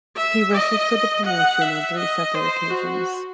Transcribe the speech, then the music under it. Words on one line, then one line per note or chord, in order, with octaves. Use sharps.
He wrestled for the promotion on three separate occasions.
E5
D#5
F#5
E5
D#5
C5
F#4